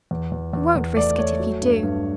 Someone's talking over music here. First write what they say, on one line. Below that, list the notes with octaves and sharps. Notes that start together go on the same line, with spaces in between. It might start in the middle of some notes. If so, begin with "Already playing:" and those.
'You won't risk it if you do.
E2
E2
E2
E2
A3 D5
A3 C#5
F#3
G2
G2